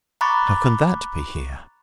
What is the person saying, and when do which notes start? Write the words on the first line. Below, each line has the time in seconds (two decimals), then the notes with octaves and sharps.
How can that be here!
0.21 A#5 B5 C#6 D6 F#6 A6